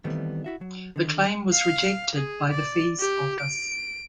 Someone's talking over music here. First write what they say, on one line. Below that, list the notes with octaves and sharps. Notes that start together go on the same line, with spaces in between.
The claim was rejected by the Fees Office.
D#3 E3 G3 A3 B3 C4
E4 F#4 E5
F#3
D3 D#3
F5
G#4
D5
G4
D7